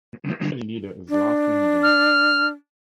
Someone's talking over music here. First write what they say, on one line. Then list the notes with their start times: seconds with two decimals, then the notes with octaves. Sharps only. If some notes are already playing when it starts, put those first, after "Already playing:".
The union leader is Lars Lindgren.
1.09 D4
1.82 F6